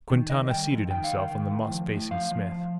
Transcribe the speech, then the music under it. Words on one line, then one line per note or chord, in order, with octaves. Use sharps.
Quintana seated himself on the moss, facing Smith.
D#3
D#3 D#5
G3 G5
F2
D#3 G5
F5
D#3
G5
D#3
A2
F3
A2
F3 F5
F3
F3